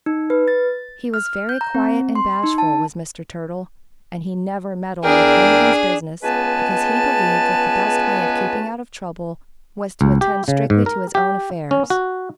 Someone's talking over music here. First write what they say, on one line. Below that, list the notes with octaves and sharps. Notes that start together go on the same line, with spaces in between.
He was very quiet and bashful, was Mr. Turtle, and he never meddled with any one's business, because he believed that the best way of keeping out of trouble was to attend strictly to his own affairs.
D#4
B4
A6
F6
G6
A#5
C4
C6
D#4
A5
E2 D4 G#4 A#4 G5
C#2 G#3 B3 B4 G#5 A5
C#2
G4
C#3
G#2
A#4
G4
C#4
F#4